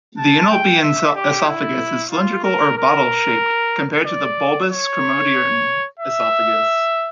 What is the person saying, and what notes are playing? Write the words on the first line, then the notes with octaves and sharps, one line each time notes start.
The enoplean esophagus is cylindrical or "bottle-shaped", compared to the bulbous chromadorean esophagus.
A5
G5
E5
G4
E4
F4
A#4
A#4
D5
C#5
E5